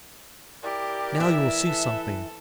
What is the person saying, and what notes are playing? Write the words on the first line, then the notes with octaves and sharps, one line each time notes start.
Now you will see something.
E4 G4 A#4 D5
E3 E5
A4 B4